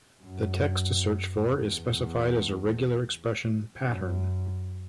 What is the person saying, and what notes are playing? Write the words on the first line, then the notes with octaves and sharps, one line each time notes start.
The text to search for is specified as a regular expression "pattern".
F#2
E2
E2
F#2